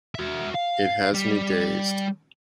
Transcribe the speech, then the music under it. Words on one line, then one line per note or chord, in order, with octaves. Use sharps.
It has me dazed.
F#4 E5
F5
G3